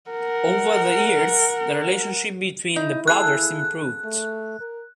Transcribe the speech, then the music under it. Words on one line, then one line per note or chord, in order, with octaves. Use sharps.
Over the years, the relationship between the brothers improved.
A#4 F#5
D#4 E4
A#3 G#4 A4 F#6
A3
A#4